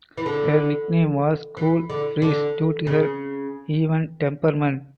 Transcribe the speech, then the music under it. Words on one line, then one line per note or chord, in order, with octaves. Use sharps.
Her nickname was "Cool Breeze" due to her even temperament.
E3
D3
E3
D3
D3
C#3